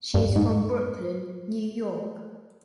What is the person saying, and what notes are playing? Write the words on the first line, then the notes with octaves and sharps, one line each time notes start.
She is from Brooklyn, New York.
G2
G#2